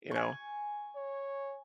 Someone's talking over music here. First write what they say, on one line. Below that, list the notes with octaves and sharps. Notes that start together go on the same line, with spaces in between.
you know,
G#5 C#6
C#5